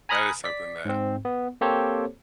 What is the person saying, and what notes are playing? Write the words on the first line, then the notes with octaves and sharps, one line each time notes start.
that is something that
G#5 A#5 B5 D#6 F6 F#6
D5 B6
G#2 C4
B3
A#3 C4 G4 A4 C5 C#5